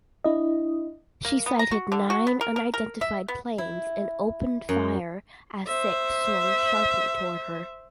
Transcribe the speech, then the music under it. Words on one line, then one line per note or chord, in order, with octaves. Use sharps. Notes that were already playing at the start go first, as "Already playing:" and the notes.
She sighted nine unidentified planes and opened fire as six swung sharply toward her.
D4 E4 D#5
A#3
B3
A#5
F#4
D3
F#4
B3
A#4
A#4
A#4
E5
B3
E4
F#2
C5 E5